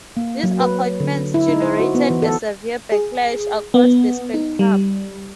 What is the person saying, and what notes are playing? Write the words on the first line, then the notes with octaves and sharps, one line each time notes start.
These appointments generated a severe backlash across the spectrum.
A#3
F#3
B4
D3
E4
D#4
C5
F#4
B3
E3
A4
G#4
B3
D#4
G3